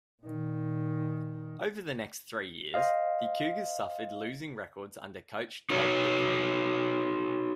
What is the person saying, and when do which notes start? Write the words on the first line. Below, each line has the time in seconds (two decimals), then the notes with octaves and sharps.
Over the next three years, the Cougars suffered losing records under coach Todd Hickman.
0.23 A#2 D#3
2.74 C5 D#5 F5
5.70 D#4 F#4 B4 C#5